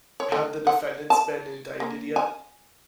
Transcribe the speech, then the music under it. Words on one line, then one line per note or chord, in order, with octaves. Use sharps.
Have the defendants been indicted yet?
C#5
A3
F#5
A5
A#3
G#5